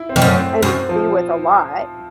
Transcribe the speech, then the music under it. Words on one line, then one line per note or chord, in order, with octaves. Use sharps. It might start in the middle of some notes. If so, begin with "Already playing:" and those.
and be with a lot.
Already playing: E4
C4
F2
F#2
C4
F#2 C4
F3